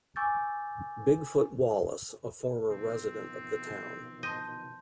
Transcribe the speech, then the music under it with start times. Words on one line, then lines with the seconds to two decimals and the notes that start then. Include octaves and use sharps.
"Bigfoot" Wallace, a former resident of the town.
0.16 G#5 C#6 D6 E6 G6 A6
2.70 B2 D#3 F3 C4
4.23 D#5 A5 C6 G6